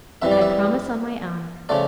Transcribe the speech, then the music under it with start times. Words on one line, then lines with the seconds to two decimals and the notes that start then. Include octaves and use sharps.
"I promise on my honor."
0.22 F2 E3 G3 E5
0.31 D5
0.41 E5
1.69 C#3 F3 A3 D5